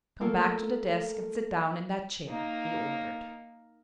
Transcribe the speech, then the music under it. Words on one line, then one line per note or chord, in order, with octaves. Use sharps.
"Come back to the desk and sit down in that chair!" he ordered.
A3 A#3 F4 A4 A#4
A#3 D#4